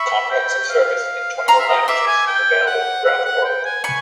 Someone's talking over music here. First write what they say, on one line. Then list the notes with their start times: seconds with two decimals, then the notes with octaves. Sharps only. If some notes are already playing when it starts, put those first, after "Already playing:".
Comprehensive service in twenty-one languages is available throughout the world.
Already playing: E5 B5 C#6
0.31 G5
0.70 F5
1.48 F5 A#5 C6
1.59 E5
1.68 D#5
1.88 E5 C6 D6
2.07 G#5
2.27 G5
2.66 F#5
3.05 F#5
3.25 F#5
3.45 G5
3.64 G#5
3.84 G#5 B5 C#6